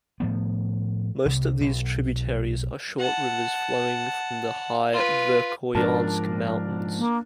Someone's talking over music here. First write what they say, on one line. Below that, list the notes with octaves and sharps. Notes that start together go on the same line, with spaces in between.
Most of these tributaries are short rivers flowing from the high Verkhoyansk Mountains.
A2 F3 B3
C2 C3
B1
F#5 A5
F4 B4
G#2 F3 D4 A#4 A5
A#3